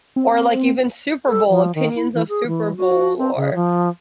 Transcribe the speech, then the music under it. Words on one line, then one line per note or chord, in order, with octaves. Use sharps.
or, like, even Super Bowl, opinions of Super Bowl, or,
C4
A4
F3
D#3
E4
E3
G#4
E3
F#4
C4
C#3
F3